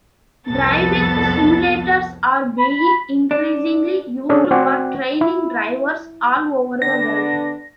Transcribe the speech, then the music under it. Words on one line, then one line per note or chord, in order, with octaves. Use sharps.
Driving simulators are being increasingly used for training drivers all over the world.
C2 F2 B3 A4 A6
B5
D4
C#4 D4 G#4 A4 D5
C4 F#4 C5 D5 F#5 G#5
E4
D3 B3 D4 A#6